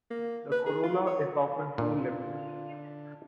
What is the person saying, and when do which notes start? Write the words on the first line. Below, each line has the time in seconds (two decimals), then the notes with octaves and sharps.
The corolla is often two-lipped.
0.11 A#3
0.52 B4
0.66 G#4
0.83 F4
1.07 C#5
1.78 A#2 D3 D4 F4